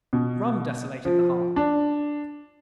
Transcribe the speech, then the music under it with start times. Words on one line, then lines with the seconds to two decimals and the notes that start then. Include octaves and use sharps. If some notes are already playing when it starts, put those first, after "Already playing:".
Rum desolated the hearth.
0.13 B2
1.05 F3
1.56 D4